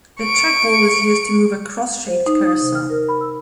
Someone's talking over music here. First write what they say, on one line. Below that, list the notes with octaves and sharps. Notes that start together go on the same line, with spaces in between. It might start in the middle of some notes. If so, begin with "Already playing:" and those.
The trackball is used to move a cross-shaped cursor.
C#6 D7
C5
D#4
D#6
C3
F6
A#4
B5
E6